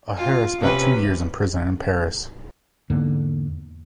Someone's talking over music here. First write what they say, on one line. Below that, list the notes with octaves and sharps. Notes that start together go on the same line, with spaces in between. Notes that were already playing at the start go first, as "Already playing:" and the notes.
O'Hara spent two years in prison in Paris.
F4
C3 C#4 B4
E2 G#2 D3 A#3